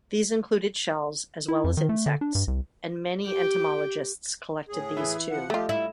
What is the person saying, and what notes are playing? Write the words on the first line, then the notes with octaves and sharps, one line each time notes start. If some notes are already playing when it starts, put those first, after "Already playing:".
These included shells as well as insects and many entomologists collected these too.
E4
F2
D#3
A3
D3
D4
G2
C2
G4 G5
A2 G#4
E3 B4 E5
F3 F#5
F3 A3 F4 G4 D#5
G3 E4